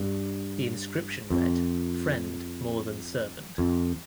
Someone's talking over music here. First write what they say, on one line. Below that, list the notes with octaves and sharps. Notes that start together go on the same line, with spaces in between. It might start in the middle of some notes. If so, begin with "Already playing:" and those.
The inscription read: Friend more than Servant.
Already playing: G2
F2
F2